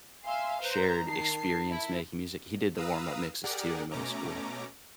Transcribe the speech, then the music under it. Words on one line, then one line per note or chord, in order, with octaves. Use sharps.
shared experience making music. He did the warm up mixes too in middle school.
E5 F5 G#5 C6
B4 C5 A#5
D#3 A5 C7
E4
B4 F5 A#5 D#6 E6
G4 G#4 A#4 D5 F#5
B2 A3 C#4 A#5 D6